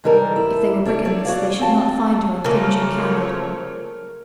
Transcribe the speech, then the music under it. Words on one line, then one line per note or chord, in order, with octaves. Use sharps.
If they were brigands they should not find her a cringing coward.
G#2 E3 G3 A4 A#4
E4
D4 C#5 D5
A4 C#5 D5
F#4 C#5 D5 F5
C4 F5 G5 A5
C#3 F3 A3 A#3 A#4 C#5